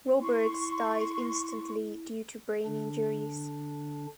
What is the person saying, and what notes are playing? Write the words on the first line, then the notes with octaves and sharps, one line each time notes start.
Roberts died instantly due to brain injuries.
E4 C6 C#6
D3 D4